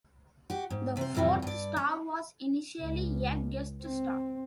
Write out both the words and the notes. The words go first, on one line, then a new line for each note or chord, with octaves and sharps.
The fourth star was initially a guest star.
F#4 G4
G#2
C3 C5
F2 A2 C3 E3 G3
G2 D5
C#4
C#2
C4